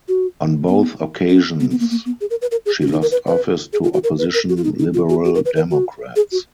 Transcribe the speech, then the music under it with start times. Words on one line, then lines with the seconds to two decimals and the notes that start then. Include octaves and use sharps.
On both occasions, she lost office to opposition Liberal Democrats.
0.08 F#4
0.68 B3
1.29 C#4
1.60 B3
1.71 B3
1.80 A#3
1.91 A#3
2.05 B3
2.21 G#4
2.30 A#4
2.41 B4
2.51 A#4
2.66 G#4
2.82 F#4
2.87 C#4
2.92 D#4
3.01 A#4
3.11 B4
3.27 B4
3.73 G#4
3.83 F4
3.93 F#4
4.03 A#4
4.18 B4
4.34 A#4
4.49 F#4
4.57 F4
4.64 D#4
4.79 D#4
4.94 F4
5.09 F#4
5.25 F#4
5.35 A#4
5.45 B4
5.56 A#4
5.71 F#4
6.16 G#4
6.32 F#4